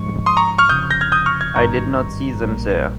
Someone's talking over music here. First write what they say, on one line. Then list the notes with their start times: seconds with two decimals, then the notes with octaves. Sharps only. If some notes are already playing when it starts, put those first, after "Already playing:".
I did not see them there.
Already playing: G#2 F3 G#3 C#6
0.26 C6 D#6
0.37 A#5 C#6
0.58 C#6 F6
0.69 F1 D#2 C#3 F3 D#6 G6
0.90 G6 A#6
1.01 F6 G#6
1.12 D#6 G6
1.26 C#6 F6
1.41 F6 G#6
1.55 G#1 G2 D#3 A#5 C#6
2.42 A#1 A#2 G3